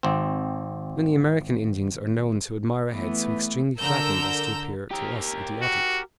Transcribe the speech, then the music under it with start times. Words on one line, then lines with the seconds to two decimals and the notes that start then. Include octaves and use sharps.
Many American Indians are known to admire a head so extremely flattened as to appear to us idiotic.
0.03 G#1 C4
2.92 E3 A3 B3
3.79 D3 A#4 A#5 E6 G6
4.91 G4 A#4
5.62 F#4